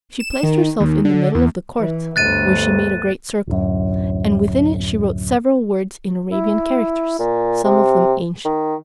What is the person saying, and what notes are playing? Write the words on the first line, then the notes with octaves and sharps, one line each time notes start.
She placed herself in the middle of the court, where she made a great circle, and within it she wrote several words in Arabian characters, some of them ancient.
E7
D#3
D#2
D3
E2
E3
G1 D2 F#6 A6 D#7
D1 F#2
E4
A#2
C3
D#3